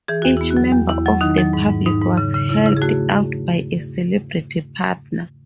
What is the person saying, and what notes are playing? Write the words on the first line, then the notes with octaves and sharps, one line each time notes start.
Each member of the public was helped out by a "celebrity" partner.
E3 G#4
E2 F#4
B3 E4
F#4
F#3
E2
E2 E4
F#3
D#3 D#4
F#3
G#2
G#2
G#2 D#4
G#2
C#3
C#3
C#3 E4
C#3 E4
G#4
A3 F#4